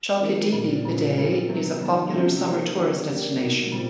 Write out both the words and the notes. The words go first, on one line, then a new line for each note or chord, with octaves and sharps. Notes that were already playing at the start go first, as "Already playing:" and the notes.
Chalkidiki today is a popular summer tourist destination.
D#3 G#3 C4 F4 A#4
A#2 G3 B3
A#2 F3 G#3 C#4
D3 G3 C4 F4 G#4
C3 D#3 F#3 B3
D#3 G3 B3 D#4
C3 F3 A3 C#4 F#4
A#3 D#4 G4 C5
D#3 F#3 B3 D4 G4
A#3 D4 G4
A#3 D#4 F#4
A#2 G3 C4